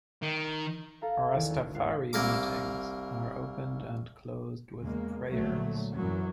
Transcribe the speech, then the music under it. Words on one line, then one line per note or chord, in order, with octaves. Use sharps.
Rastafari meetings are opened and closed with prayers.
D#3
A4 F5 A#5
E2 D#3 D6
D2
G#1 F4 F5 F#6 C7
C2 A#3 A#4 D6
E2 C#3 G#3 A#3
A#1 D3 F#3 A3
F#2 A#2 E3 F#3